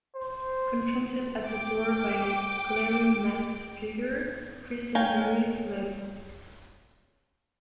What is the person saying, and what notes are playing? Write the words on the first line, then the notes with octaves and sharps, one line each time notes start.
Confronted at the door by a glaring masked figure, Christenberry fled.
C5
G5 D6 D7
C#5 F5 G5 G#5 A#5